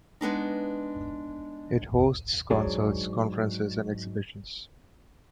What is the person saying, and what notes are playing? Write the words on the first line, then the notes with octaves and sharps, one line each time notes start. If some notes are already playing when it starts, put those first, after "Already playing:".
It hosts concerts, conferences and exhibitions.
G#3 B3 D4 D#4
G#2 F#3 D4 G#4